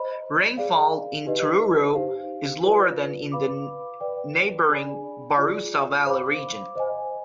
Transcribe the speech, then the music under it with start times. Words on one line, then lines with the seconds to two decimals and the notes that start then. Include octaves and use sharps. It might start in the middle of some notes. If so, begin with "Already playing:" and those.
Rainfall in Truro is lower than in the neighbouring Barossa Valley region.
Already playing: C5 D#5 B5
0.57 G#4 D5 F5
1.25 D#4 G4 B4 D#5
1.95 D#4 G4 C5 F5
2.63 F4 B4 D5
3.32 B4 F5 B5 D6
4.00 B4 D5 G5
4.69 D4 G#4 D5 G#5 B5
5.38 F4 G#4 D5
6.06 C5 F5 B5 D6
6.75 C5 D#5 G#5